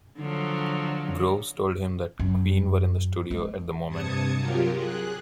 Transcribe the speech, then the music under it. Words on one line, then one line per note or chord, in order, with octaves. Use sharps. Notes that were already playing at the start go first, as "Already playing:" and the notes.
Groves told him that Queen were in the studio at the moment.
D3 F3 F#3
F#2
G#3
G2 C3 A5 D#6 G#6 C#7
F#3 F4 G4 A#4
G#4 F#6